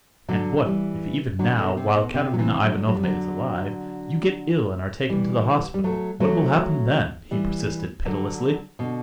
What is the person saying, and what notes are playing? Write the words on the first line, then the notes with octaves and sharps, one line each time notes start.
"And, what, if even now, while Katerina Ivanovna is alive, you get ill and are taken to the hospital, what will happen then?" he persisted pitilessly.
D3 F#3
E3 G3
D3 F#3
B2 D3
C3
B2
C3
F#3
C3 E3
D3 F#3
F#3
G3
D3 F#3
E3 G3
G3
F#3 A3
F#3 A3
E3 G3
D3 F#3
B2 D3